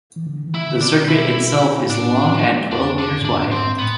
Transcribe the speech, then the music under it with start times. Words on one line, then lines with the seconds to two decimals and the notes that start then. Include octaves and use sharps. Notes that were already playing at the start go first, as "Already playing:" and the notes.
The circuit itself is long and twelve meters wide.
0.16 E3
0.26 D3
0.47 E3
0.54 E4
0.67 D3
0.81 C3 D4
0.88 B2
1.08 E4
1.89 A2 D4
2.71 F2 D4
2.98 D4
3.11 F2
3.19 G#2
3.25 F2 D4
3.45 A2
3.51 G#2 C4
3.79 A2 B3